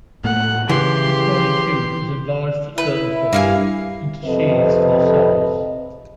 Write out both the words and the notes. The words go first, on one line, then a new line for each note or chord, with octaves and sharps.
This horny tube is enlarged at certain points into sheaths or cells.
A2 A3 A#3 F#5
C#3 E3 G4 C6
E4 B4
G2 A#3 F5 G#5
F2 C3 C4 A4 B4 D#5